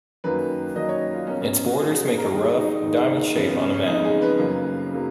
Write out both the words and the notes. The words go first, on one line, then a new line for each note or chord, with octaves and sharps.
Its borders make a rough diamond shape on a map.
F#2 D#3 F#3 A#3 B4
F#2 D#3 F#3 A#3 D#5
C#5
F4
B1 B2 A#3 C#4
B3
C#4
F#4
B1 B2 A#3 G#4
F#4
G#4
A#4
D#2 D#3 G#3 G#4
F#4
D#4
D#4
D#2 D#3 G#3
F2 C#3 G#3 B3 C#4
B3
C#4
C#4
F2 C#3 G#3 B3 D#4
G#4
B4
F#1 F#2 C#3 F#3 A#3
C#3 F#3 A#3